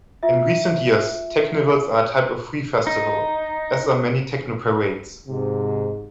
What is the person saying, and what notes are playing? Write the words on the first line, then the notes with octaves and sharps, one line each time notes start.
In recent years, teknivals are a type of free festival, as are many technoparades.
F4 E5
D#4
G#2 C3